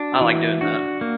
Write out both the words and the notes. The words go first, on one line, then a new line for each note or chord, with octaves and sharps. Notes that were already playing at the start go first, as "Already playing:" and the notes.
I like doing that.
Already playing: D4 F#4
F#4
E3 E4
D4 F#4
A#3